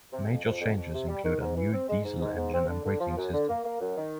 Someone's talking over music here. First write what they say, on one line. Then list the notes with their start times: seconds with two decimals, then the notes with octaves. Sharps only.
Major changes include a new diesel engine and braking system.
0.13 C3
0.29 F2
0.45 F2
0.61 F2
0.76 F2
0.93 C3
1.08 G3
1.25 D#3
1.41 G#2
1.57 E3
1.73 C4
1.89 G#3
2.04 G#2
2.21 G#2
2.37 G#2
2.53 C4
2.69 D3
2.85 D3
3.00 F3
3.17 F#2
3.33 D3
3.49 A#3
3.65 A#3
3.81 F#2
3.97 D#3